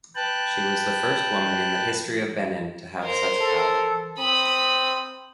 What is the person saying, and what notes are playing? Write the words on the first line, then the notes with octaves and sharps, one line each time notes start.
She was the first woman in the history of Benin to have such power.
B4 G5 A5 F#6
A#4 C5
A4
C4 B5 D#6